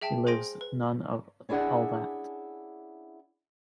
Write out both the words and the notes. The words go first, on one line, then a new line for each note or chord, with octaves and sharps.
He lives none of all that.
G#4 E5 G5 A5
G#4 C5 G#5 C6 A#6 D7
B4
C#4 D4 E4 G#4 F#5